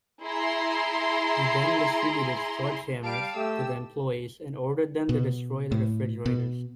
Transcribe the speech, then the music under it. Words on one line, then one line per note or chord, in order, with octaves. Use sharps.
He then distributed sledgehammers to the employees and ordered them to destroy the refrigerators.
E4 G#4 A#5 C6
G3 F5 A5 D7
A3 G4 E6
B2
A2
B2